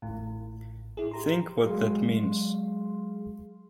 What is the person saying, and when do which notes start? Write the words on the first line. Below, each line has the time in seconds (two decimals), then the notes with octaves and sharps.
Think what that means.
0.02 A1 A2
0.97 E4 G#4
1.11 G4 A#5 C6
1.66 F#3 G#3 G#4 F5 C6